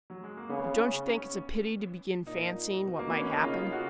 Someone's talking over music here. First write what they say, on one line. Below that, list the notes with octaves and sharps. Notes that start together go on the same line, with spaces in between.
"But don't you think it's a pity to begin fancying what might happen?"
F#3
G#3
A#3
C#3 B3
C#4
C#4
A#2 D#4
B2
A#3
B3
C#4
D#4
C#3 F4
F#4